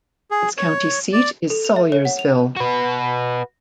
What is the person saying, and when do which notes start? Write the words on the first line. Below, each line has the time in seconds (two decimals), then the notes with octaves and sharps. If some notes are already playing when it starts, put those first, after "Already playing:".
Its county seat is Salyersville.
0.31 G#4
0.58 C#5
1.13 D5
1.50 A4
1.64 F7
1.76 E5
1.92 C#5
2.05 F#5
2.19 F7
2.57 F#4 B4